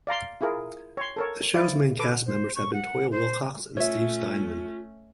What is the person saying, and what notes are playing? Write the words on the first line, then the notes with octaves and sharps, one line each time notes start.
The shows main cast members have been Toyah Willcox and Steve Steinman.
D5 F5 A#5 C6
E4 F4 G#4 A#4
C#5 C6
A4 A#4 C#5
E4 D5 F5
A4 B4 D6
C5
C#6
F#5
C5
A3 C#4 F4 C#5 E5